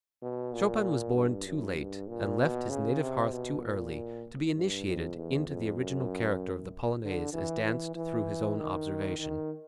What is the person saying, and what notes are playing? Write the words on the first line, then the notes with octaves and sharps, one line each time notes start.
Chopin was born too late, and left his native hearth too early, to be initiated into the original character of the Polonaise as danced through his own observation.
B2
A#2
G2
F#2
G2
A#2
B2
C#3
C3
B2
A#2
G2
F2
E2
F2
F#2
D3
E3
E3
E3
D#3
D#3